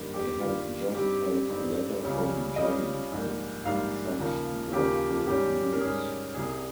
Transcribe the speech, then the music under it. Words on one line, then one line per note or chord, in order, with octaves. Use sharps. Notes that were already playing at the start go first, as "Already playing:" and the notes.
I have just had a letter from Jane, with such dreadful news.
Already playing: G2 D#3 G3 A#3
G4
G2 D#3 G3 A#3 F4
G2 G3 C4 D#4 G4
G2 G3 C4 D#4
C#2 C#3 G3 C#4
C#2 C#3 G3 C#4 D#5
A#1 G#2 G3 A#3
A#1 G#2 G3 A#3 F5
D#2 C#3 F3 A#3
D#2 C#3 F3 A#3 G4
G#2 G3 C#4 G4
A#4
G#2 G3 C#4 G#4
C2 C3 G3 G#4